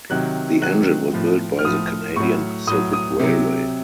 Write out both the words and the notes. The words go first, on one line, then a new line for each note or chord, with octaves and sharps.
The engine was built by the Canadian Pacific Railway.
C3 D#3 F#3 F#6
C3 D#3 F#3 F#6
A2 F3
F6
A2 F3 D#6
A2 F#3 C#6
A2 F#3 D#6
D#6
C3 F#3